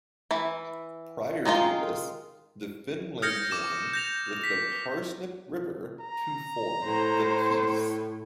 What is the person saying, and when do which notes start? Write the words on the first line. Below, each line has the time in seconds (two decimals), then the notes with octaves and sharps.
Prior to this, the Finlay joined with the Parsnip River to form the Peace.
0.31 E3 E4
1.45 D#3 G#3 D#4 F4
3.22 D#6 F6 G6 G#6 A#6 C#7
3.37 A#6
3.51 D6 E7
3.93 G6 A#6 F7
4.44 B6
6.00 A#5
6.85 A2 C5